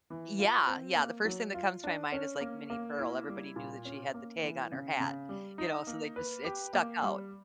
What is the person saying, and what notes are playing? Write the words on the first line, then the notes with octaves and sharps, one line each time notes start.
Yeah, yeah, the first thing that comes to my mind is like Minnie Pearl, everybody knew that she had the tag on her hat, you know so they just it stuck out.
E3
F4
C4
A#3
F#3
F4
D4
C#4
A#3
A#3
E4
G3
A#2
C#4
A#3
E3
C#3
C#3
G3
D#4
A#3
B4
G4
A#3
G3